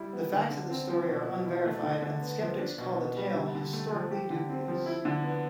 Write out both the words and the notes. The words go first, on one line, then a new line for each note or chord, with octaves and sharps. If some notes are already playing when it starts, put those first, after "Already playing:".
The facts of the story are unverified, and skeptics call the tale "historically dubious".
Already playing: G3 E4 G4
B3
D3
D3
C4
F3
B2
B2
E4
A3
D3
D3
B3
F3
D4
B2
B3
G3
D3
D3
A3
F3
G4
D3
C4
F3
E4
D3
B3